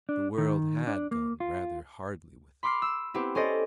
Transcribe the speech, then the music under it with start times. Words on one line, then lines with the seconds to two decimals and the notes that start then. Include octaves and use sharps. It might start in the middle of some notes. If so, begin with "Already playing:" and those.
The world had gone rather hardly with her.
0.09 D4
0.38 D#3
0.87 D4
1.11 A#3
1.40 F4
2.63 B5 C6 D6 F6 C7
2.82 E6
3.14 B3 C4 E4 G4
3.35 C#4 A4 C5 D5 D#5